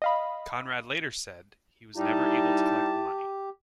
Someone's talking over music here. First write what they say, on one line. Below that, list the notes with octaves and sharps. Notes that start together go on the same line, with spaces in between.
Conrad later said he was never able to collect the money.
D#5 F5 B5
G3 D#4 E4 G4 A5